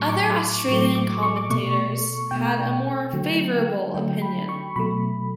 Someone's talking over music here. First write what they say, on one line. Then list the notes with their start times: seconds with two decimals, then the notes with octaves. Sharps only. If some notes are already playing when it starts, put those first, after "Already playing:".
Other Australian commentators had a more favourable opinion.
Already playing: A2 F#3 A3 C#6
0.09 D6
0.14 C#6
0.42 D6
0.68 A2 F#3 A3 C#6
0.95 D6
1.23 C#6
1.37 D6
1.49 B2 A3 C#6
2.31 B2 A3 G5
3.13 D3 F#3 A3
3.94 D3 F#3 A3 G5
4.22 B5
4.49 C#6
4.76 B2 F#3 A3 B5